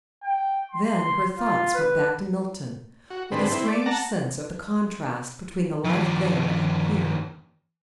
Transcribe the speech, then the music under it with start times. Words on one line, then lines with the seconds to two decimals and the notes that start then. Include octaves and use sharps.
Then her thoughts went back to Milton, with a strange sense of the contrast between the life there, and here.
0.23 G5
0.71 C6
1.38 F4
1.74 B4
3.10 F#4
3.32 G#2 D3 C4 B4
3.52 C4 E4
3.67 D5
3.86 F#5 A5 A#5
5.85 D#2 F3